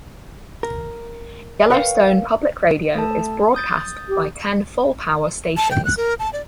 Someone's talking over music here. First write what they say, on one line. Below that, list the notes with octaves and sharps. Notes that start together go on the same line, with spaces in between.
Yellowstone Public Radio is broadcast by ten full-power stations.
A#4
A#4 B4 C#5 E5 F5 G5
A3 A4 A5
D#6 G6 A6
G4
A5
G5
F#6
A#4
A5
D5